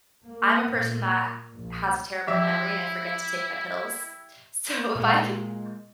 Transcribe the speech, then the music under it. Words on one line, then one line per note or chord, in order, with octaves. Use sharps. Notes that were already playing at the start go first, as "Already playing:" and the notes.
I'm a person that has a terrible memory, and I forget to take my pills. So, if I could have
A#3
A#2
A#1
E3 F3 E4 G4 E5
A#2 G#3